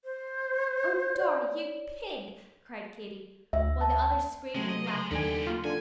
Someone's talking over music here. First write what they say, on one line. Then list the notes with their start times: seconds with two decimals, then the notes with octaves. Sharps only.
"Oh, Dorry, you pig!" cried Katy, while the others screamed with laughter.
0.04 C5
1.15 C#5 D5
3.53 D2 E5
3.81 A5
4.55 C3 F#3 G#3 A3 C4
4.69 D#5
4.87 C#3 G#3 A#5
5.11 D#2 D3 B3 G4 G#5
5.47 A#3 F4
5.64 D3 G#5